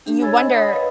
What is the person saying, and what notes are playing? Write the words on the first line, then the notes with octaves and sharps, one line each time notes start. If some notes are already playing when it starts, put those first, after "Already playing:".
you wonder
D4 G4
C#5 G#5 B5 E6 G#6 A6
D#5 G#5
C#5 F#5 B5 D#6 A6
A#4 B4 D#5 F5